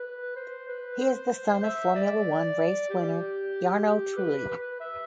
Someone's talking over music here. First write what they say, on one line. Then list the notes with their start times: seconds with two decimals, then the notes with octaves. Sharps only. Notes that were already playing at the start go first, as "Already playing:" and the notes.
He is the son of Formula One race winner Jarno Trulli.
Already playing: B4
0.36 C5
0.69 B4
1.00 C5
1.64 E5
1.96 D5
2.90 G4
4.17 B4
4.49 B4
4.80 E5